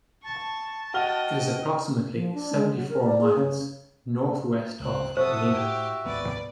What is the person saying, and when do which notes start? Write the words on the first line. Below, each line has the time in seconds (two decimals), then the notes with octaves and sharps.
It is approximately seventy-four miles northwest of Helena.
0.24 A5 C#6
0.94 F#4 D#5 G5 F6 G7
2.14 F3
2.34 D4
2.53 G#3
2.74 F#3
2.89 A#4
3.03 D5
3.21 G#4
3.36 C#3
4.80 C#2 C4 F#6
5.17 F#1 C3 F#4 A4 C5 E5 D#6
5.53 A2 G4
6.05 D1 G#1 B3 B4 D5